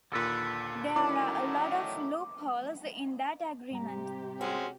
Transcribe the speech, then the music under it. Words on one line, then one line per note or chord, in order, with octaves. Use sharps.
There are a lot of loopholes in that agreement.
D#2 A#2 D3 A4 B4
A2 D#3 F#3 C#4 E4 D5 D6
G#2 C3 G3 G4 A#5
G#3 C4 C#4 F#4